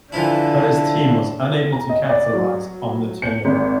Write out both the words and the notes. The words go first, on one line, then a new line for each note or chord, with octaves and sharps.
But his team was unable to capitalize on the turnover.
D3 E3 F3 E4 A5
A#5
D#5
D5
F#3
C#7
G#1